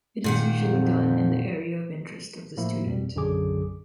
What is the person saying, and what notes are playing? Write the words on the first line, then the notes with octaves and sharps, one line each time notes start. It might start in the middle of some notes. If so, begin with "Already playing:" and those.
It is usually done in the area of interest of the student.
A#2 D#3 F#5
F2
A2 F3 A#3 E4
F2 B2 G3
B1 F#2 D3 F#3 G#4 D6